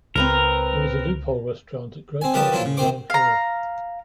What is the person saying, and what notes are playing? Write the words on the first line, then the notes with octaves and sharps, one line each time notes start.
There is a loophole restaurant of great height in the ground floor.
C#2 C4 A#4 B4 A#5
C4 G#5
F3 G4 A#4 B4 A5 D#6
F3 F#3 A#3 E4 F4
C#3
D2 D#3 C4 C5 D6
F5 A#5